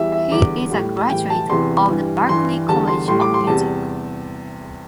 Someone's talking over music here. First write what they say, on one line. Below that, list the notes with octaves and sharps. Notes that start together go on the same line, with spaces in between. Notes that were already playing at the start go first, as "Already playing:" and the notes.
He is a graduate of the Berklee College of Music.
Already playing: E2 E3 G3 E5
E5
E2 D3 G3 D6
A2 G3
A2 E3 G3 G5
A5
E2 C3 E3 C6
G2 E3 G3
G2 E3 G3 C6
E2 D3 G3 A5
C6
A2 G3 C6
D6
C6
E2 C3 G3 A5